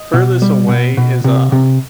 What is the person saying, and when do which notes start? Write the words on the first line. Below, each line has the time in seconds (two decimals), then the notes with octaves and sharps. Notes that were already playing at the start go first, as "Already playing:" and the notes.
furthest away is, um,
Already playing: D#5
0.14 B2
0.42 G3
0.68 B2
0.97 B2
1.24 C3
1.52 C3